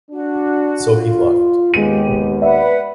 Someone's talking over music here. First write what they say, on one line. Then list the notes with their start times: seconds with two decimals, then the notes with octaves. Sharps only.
So he left.
0.11 D4 F#4
0.89 F4
1.74 D#2 G#3 B3 G4 D#7
2.42 B4 D5 E5 F#5